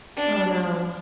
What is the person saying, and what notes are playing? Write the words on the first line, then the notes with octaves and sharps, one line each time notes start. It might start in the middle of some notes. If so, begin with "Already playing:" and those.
Oh, no.
D4